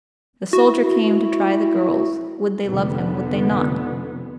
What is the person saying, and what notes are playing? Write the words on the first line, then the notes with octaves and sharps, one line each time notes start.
The soldier came to try the girls: Would they love him, would they not?
E4 F#4
F1 D3 B3